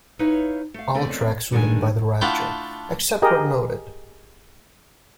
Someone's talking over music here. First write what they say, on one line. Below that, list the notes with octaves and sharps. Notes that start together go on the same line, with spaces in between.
All tracks written by The Rapture, except where noted.
D#4 E4 B4 C#5 F5
A3 F5
E2 A3 C4 C#4 D5 D#5
G2 D3 D#3 G#3 D4 G#5
A3 D4 E4 F4 F#5 G5
G4 G#4 A#4 D#5